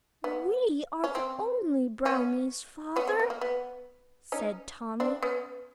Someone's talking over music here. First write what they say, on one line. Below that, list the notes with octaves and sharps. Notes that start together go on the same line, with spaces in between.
"We are the only brownies, father," said Tommy.
B3
C#4
C4
B3 C#4
B3 C#4
C4
B3
A#3
B3
C#4 D#4
C4 D4
B3 C#4